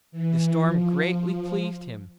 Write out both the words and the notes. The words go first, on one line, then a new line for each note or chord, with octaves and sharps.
The storm greatly pleased him.
E3
F3